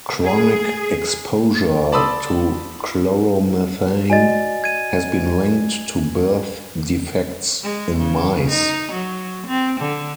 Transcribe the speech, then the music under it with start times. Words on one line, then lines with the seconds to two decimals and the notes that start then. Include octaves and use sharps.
Chronic exposure to chloromethane has been linked to birth defects in mice.
0.23 G#4
1.92 D5 A5 B5 C6 D#6 E6
4.10 F#4 D5 D#5 G#5 A6
4.64 G#6 D#7
7.63 G#3
7.98 C#3
8.49 D#4
8.92 F#3
9.47 C4
9.80 D3